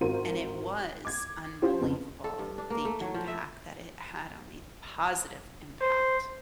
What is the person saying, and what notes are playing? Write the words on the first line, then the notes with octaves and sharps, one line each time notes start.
And it was unbelievable, the impact that it had on me, the positive impact.
G#1 F4 F#4 A#4 C5 D#7
D6 G#6
C#4 F4 G4 C5
F2 C#3 B3
A4
G2
D4
A#3
A3
F#3
F3
E5
C5